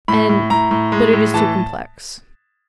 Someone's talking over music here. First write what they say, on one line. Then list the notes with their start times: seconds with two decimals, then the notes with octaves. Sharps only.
And--but it is too complex.
0.08 A2 B5
0.29 A2
0.50 A2 A#5
0.71 A2
0.92 G#3
1.13 A2
1.34 E3 A5